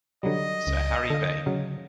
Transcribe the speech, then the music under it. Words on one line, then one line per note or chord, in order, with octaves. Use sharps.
Sir Harry Vane!
D3 F#3 G3 D#5
C#2
D3 A4 F5
C#3 F#3 F5